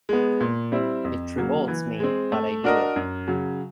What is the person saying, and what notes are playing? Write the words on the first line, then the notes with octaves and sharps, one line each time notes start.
It revolts me, but I do it.
G#3 B3
A#2
G3 C4 E4
F2
C#3 F#3 A#3
E3
G#3 C4
A3
D4 F#4 A#4 D#5
F#2
C#3 F#3